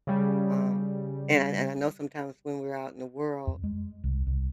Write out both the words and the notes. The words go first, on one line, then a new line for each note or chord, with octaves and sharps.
Um, and I and I know sometimes when we're out in the world,
C#3 G3
F2
G#3
C2
C2